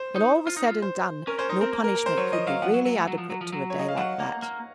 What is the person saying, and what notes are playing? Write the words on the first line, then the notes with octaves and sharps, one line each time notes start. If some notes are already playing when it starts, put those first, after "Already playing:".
When all was said and done no punishment could be really adequate to a day like that.
Already playing: C5
D#4
F4
D#4
F4
C5
C#4 A#4
C#4 C5
D#4 C5
C4 A#4
A#3
A#4
A#4
C5
F#3 C#5
F3 D#5
F#3 F5
F3 F#5
F#3
F#3
A3
F#3
F3
F#3
F3
F#3
C#5
D#5
F5
F#3 F#5
A#3
A#3